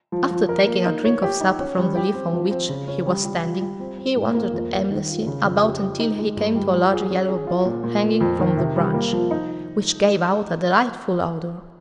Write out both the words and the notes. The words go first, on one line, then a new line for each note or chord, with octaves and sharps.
After taking a drink of sap from the leaf on which he was standing, he wandered aimlessly about until he came to a large yellow ball hanging from the branch, which gave out a delightful odor.
F3
F3
A#4
A#3
D#4
C#5
G4
D#4
C#4
G3
G4
C4
F3
C4
C#3
C#4
G3
G3
F4
G3
C4
C4
G#2
A#3
F2
G3
D#3
F4
C#3
F2
G4
G4
D#4
G#3
G2
G3
F3
G#4
C#4
G#4
F4
A#2
A#2
A#2
F2
D#3
C3
G3
A#3
F3
D#4